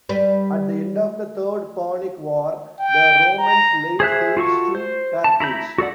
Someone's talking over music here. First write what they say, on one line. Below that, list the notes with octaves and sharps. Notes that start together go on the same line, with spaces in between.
At the end of the Third Punic War, the Romans laid siege to Carthage.
G3 B4
G5
A#5
G#4 C5 E5 F#6
F4 F#4 A4 C#6
C5
A5
E4 A#5 B5 G6
F#4 A4 D5 F#5